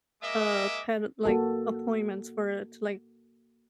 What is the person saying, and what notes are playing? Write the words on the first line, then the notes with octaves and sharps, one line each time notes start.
uh, pet, like, appointments for it to, like
G#3 A#3 D#5 E5 D6
A#3 F#4 A4